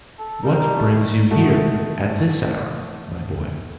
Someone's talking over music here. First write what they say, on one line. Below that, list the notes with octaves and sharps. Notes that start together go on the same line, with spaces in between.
What brings you here, at this hour, my boy?
A4
G3 D#4 A#4
A3
G#3 A3 F#4